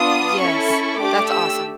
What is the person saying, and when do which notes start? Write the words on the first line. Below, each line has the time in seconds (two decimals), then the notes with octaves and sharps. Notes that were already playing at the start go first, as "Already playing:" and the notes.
Yes, that's awesome.
Already playing: B3 D4 F4 D#6
0.39 C#4 E4 A4 C#6
0.99 A3 D4 G4 D6
1.29 E6